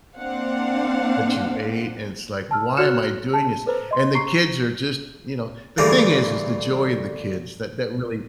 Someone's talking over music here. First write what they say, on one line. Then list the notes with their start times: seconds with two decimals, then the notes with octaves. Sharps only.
that you ate, and it's like, "Why am I doing this?" And the kids are just you know? The thing is is the joy and the kids that that really
0.16 A#3 C4 D4 C5 F5 F#5
2.51 A5 E6 F6
2.77 F#4 C#5 F6 F#6 C#7 E7
3.34 A5
3.66 A4 B4 C5 A#5
3.91 D#5 C6
4.15 A#5 C#6 C7
5.78 D2 G2 C#3 E3 A3 A#3